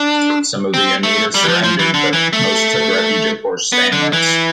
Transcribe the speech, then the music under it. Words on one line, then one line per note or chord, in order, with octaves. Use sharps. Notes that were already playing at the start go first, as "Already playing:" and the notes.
Some of the Oneida surrendered, but most took refuge at Fort Stanwix.
Already playing: D4
C4
A3
G3
E3
F3
F3
E3
D3
E3
A3
B3
D3
E3